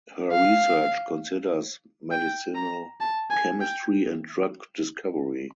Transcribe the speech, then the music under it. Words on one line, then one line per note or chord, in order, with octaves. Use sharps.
Her research considers medicinal chemistry and drug discovery.
F5
G5
A#5
A5
G#5
G5